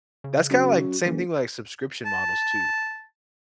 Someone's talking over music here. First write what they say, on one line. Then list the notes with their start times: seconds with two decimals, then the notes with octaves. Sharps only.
That's kinda like same thing with, like, subscription models too.
0.24 C#3
0.50 F#2 F#4
1.05 F#1 E3
2.05 A5